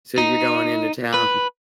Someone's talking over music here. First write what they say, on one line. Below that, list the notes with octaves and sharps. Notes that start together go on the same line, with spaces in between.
So you're going into town
D#4
B4